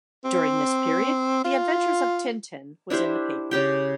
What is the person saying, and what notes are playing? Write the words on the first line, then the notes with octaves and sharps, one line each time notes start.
During this period "The Adventures of Tintin" was in the paper.
C4
F4
D4 E4 G4 C5
C#3 G4 G5